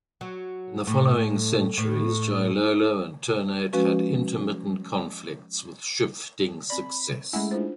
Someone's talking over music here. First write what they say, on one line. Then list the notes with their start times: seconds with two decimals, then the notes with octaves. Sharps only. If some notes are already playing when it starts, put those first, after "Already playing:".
In the following centuries Jailolo and Ternate had intermittent conflicts with shifting success.
0.21 F#3
0.87 A2
1.78 A2
3.73 F3 G#3 C#4 F#4 B4
6.70 C4 D5 B5
7.33 G#3 A3 C#4 E4 F#5 G#5
7.51 D4 F4 C5